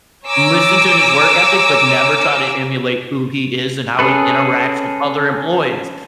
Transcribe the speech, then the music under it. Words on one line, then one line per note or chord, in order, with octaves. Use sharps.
"Listen to his work ethic, but never try to emulate who he is and how he interacts with other employees,"
C#5 G#5 A#5 D6 E6
C#4 G#4 A4 B4